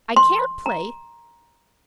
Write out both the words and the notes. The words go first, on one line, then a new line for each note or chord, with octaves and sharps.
I can't play.
C6
A#5